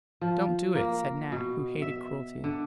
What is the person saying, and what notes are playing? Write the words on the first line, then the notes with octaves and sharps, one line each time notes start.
"Don't do it," said Nat, who hated cruelty.
F3
A#3
B2
E5
D3